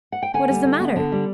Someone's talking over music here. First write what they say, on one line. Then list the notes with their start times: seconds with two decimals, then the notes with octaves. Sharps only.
"What is the matter?"
0.12 F#5
0.22 G5
0.34 D3 F#5 G#5
0.50 G3
0.64 D3
0.80 B3
0.96 D3
1.12 G3